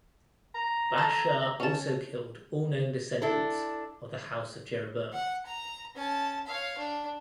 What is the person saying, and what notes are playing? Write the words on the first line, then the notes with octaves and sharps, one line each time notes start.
Baasha also killed all known descendants of the House of Jeroboam.
A#5
A4
C#4 A5
D4 E4 A4
F#5
A#5
C#4 A5
C#5 F5
D4